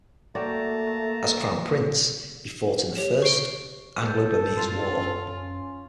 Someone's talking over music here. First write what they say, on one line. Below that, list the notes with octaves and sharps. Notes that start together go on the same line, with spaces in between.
As crown prince, he fought in the First Anglo-Burmese War.
A3 A#3 F#4 D5 G5 A5 A#5
G4 C#5 E7
C#6 C7 D7 G7
A4 G6
F#2 F4 A6
F#2 C#4